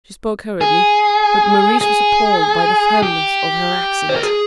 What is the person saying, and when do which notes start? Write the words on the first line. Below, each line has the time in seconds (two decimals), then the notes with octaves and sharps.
She spoke hurriedly, but Maurice was appalled by the firmness of her accent.
0.61 G#4
1.81 G#4
3.03 G4
4.09 C5
4.16 A#4
4.23 G#4